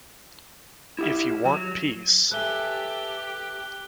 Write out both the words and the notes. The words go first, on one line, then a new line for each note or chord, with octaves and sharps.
If You Want Peace...
E4 G4 E5
F#3
G4 A4 B4 E5 G#5 F#6 G7